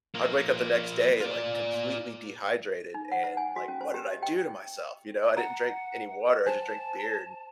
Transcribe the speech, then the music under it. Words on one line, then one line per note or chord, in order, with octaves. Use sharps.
I'd wake up the next day, like, completely dehydrated and, like, "What did I do to myself?" You know? I didn't drink any water, I just drink beer.
F3 A#3
F4 D5
D#4
F#5
C5
G#5
F#4
C#4
C5
G4
D#5
G5
F#5 A#5
C5 G#5 A5